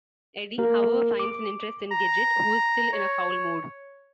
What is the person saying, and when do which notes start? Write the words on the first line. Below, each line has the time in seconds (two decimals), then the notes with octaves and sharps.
Eddie, however, finds an interest in Gidget, who is still in a foul mood.
0.58 A#3 A#4
1.19 D6
1.91 A#5
2.93 C#5